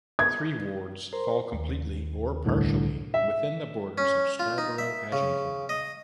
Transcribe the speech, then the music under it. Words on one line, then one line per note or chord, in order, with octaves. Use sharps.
Three wards fall completely or partially within the borders of Scarborough-Agincourt.
G#6
A#4 C5
D#2
C2 A2 D3
E5
C#4
F4
D#4
E5
C#3
D#5